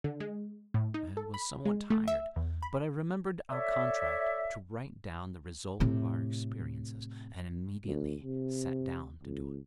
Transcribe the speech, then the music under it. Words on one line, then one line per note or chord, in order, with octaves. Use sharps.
I was somewhat tired, but I remembered our contract to write down the result of our experiences, and immediately sat down to do it.
D3
G#3
A2
D#4
A4
B5
G#3
A3
E5
E2
B5
A4 C#5 D5 E5
A2 C3
D2
C3
C#2